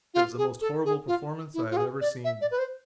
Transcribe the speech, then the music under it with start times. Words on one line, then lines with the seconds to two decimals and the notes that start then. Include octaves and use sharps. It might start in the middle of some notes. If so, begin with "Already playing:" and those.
It was the most horrible performance I have ever seen.
0.14 F4
0.38 G#4
0.61 A4
0.85 G#4
1.08 F4
1.54 E4
1.71 F4
1.77 G#4
2.01 D5
2.25 E5
2.41 D5
2.51 B4
2.59 C5